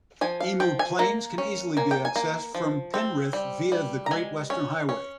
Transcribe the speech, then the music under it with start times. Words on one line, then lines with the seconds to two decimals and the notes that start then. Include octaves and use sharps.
Emu Plains can easily be accessed from Penrith via the Great Western Highway.
0.21 F3 G#5
0.40 F5
0.60 F3 G5
0.79 G#5
0.99 A#3 A#5
1.38 C#4
1.77 A#3 G#5
1.91 G5
2.05 G#5
2.16 A#3
2.55 F3
2.94 C4
3.33 G3
3.72 G3
4.06 A#5
4.11 G#3 G#5
4.50 C#4
4.89 C#4